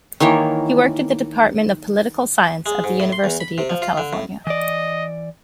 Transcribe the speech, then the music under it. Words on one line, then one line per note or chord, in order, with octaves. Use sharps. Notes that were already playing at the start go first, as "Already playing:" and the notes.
He worked at the department of political science at the University of California.
D#3 E3 A#3 C#5
G#3
G#2
A2
C6
E2
B5
C3
F3
F4
D3
A2
E3 D5 D#5